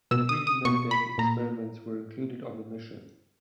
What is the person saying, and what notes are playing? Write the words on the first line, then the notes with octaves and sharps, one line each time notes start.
Three mid-deck experiments were included on the mission.
B2 E6
D#6
D#6
B2 C#6
B5
A#2 A#5